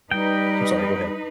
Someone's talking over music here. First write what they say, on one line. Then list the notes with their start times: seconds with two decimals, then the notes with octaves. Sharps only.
I'm sorry, go ahead.
0.11 G3 D#4 B4 G5